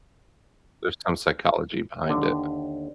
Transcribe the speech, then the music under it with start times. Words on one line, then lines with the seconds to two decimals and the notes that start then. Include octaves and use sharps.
There's some psychology behind it.
2.05 D#2 D3